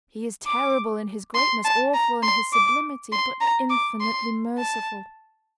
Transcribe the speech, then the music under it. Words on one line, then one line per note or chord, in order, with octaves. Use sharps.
He is terrible in His greatness, awful in His sublimity, but infinitely merciful.
D6
C6
A5
A#5
C6
D6
C6
A#5
D6
C6
A5